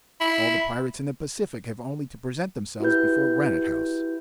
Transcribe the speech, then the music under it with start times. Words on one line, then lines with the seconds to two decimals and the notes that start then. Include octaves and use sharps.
All the pirates in the Pacific have only to present themselves before Granite House!
0.21 E4
2.80 E4 F#4 G4 B4 G6